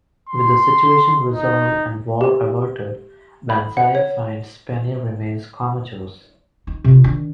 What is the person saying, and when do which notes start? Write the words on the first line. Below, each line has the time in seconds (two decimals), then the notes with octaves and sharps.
With the situation resolved and war averted, Banzai finds Penny remains comatose.
0.29 C6
1.32 D#4
2.21 G4
3.50 B5
3.77 F#5
3.95 C#5
6.67 D#4
6.84 C3 F4
7.04 D#3 D4